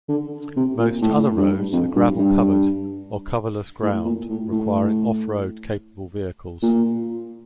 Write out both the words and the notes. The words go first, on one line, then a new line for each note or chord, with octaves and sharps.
Most other roads are gravel-covered or coverless ground, requiring off-road capable vehicles.
D3
C3
A#2
A2
G2
F2
G2
G2
A2
A#2
A2
A2
A#2